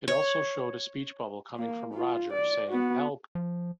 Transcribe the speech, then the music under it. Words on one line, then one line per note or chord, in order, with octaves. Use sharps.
It also showed a speech bubble coming from Roger saying Help!
C#5
A#3
F4
D5
B3 F#4
F3